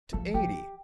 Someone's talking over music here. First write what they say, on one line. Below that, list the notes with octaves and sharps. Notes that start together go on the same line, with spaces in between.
To eighty! ...
F3 A4
F3 G4